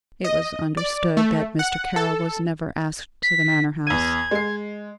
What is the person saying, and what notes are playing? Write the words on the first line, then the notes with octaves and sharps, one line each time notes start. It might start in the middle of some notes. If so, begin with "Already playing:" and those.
It was understood that Mr. Carroll was never asked to the Manor-house.
D#5
D5
A3
F#5
A4
B6
E2 G#6 D#7
G#3 C7